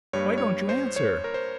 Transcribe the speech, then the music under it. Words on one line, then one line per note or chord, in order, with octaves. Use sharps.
Why don't you answer?
G2 G3 A#3 C#5
C#5
C5
C#5
A#4
C5